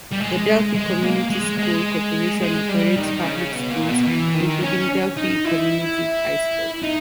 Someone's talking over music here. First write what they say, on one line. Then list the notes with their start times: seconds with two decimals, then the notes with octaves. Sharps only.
The Delphi Community School Corporation operates public schools, including Delphi Community High School.
0.12 G3
0.20 G#3
0.75 G#3
1.03 A#3
1.30 G#3
1.58 G#3
2.41 G#3
2.69 G3
2.97 D#3
3.24 C#3
3.52 B2
3.70 A#2
3.88 B2
4.07 E3
4.35 D#3
4.62 C#4
5.17 D#4
5.45 E4
6.84 D#4